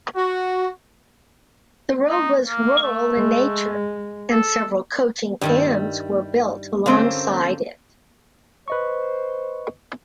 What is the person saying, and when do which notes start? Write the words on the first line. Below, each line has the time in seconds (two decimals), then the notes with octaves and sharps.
The road was rural in nature and several coaching inns were built alongside it.
0.16 F#4
2.10 D#4
2.47 A#3
2.82 A3
3.16 G#3
4.31 A4
5.41 G2 D#3 G3 E4
6.86 D3 A#3 C4 C#4 C5
8.68 B4 C5 D#5 C#6